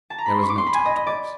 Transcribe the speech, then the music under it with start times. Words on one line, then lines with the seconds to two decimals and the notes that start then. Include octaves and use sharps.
There was no time to lose.
0.10 A5
0.18 A#5
0.26 B5
0.34 C6
0.43 C#6
0.50 D6
0.58 C6
0.67 B5
0.74 G#5
0.86 D#5
0.97 D#5
1.07 D5